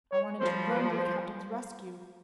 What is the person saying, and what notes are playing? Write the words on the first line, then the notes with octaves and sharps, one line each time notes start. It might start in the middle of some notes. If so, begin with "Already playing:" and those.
I wanted to run to the captain's rescue.
C#5
F3 G3 C5
B4
C5